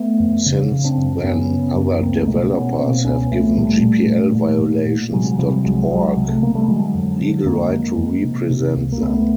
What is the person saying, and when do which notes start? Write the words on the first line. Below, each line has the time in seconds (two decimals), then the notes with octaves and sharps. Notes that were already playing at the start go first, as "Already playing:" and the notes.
Since then, other developers have given gpl-Violations dot org legal right to represent them.
Already playing: A3 B3
0.20 F2
0.46 C#3
0.72 C#3
0.84 C4 D4
0.97 F#2
1.16 C4
1.23 F#2 B3 C#4
1.50 C#3
1.76 F#2
2.01 C#2 A#3 C4
2.15 A3
2.27 B2 G#3 A#3
2.53 B2 B3 C#4
2.79 B2 A#3 C4
3.05 C#2 B3 C#4
3.31 C#2 A3 B3
3.57 A#2 G3 A3
3.83 A#2
4.09 A#2
4.35 A#2
4.61 A#2
4.87 A#2
5.12 C3 F#3 G#3
5.38 C3 F3 G3
5.64 C2 F#3 G#3
5.90 C2 F#3 G#3
6.17 C3
6.29 A3
6.42 C3 A#3
6.55 G3 A3
6.68 D3 F#3 G#3
6.94 F2
7.21 D3
7.46 F2 G#3 A#3
7.72 F2
7.98 F2
8.24 C3
8.50 C3
8.76 C#2
8.92 A#3
9.01 C#2 A3 B3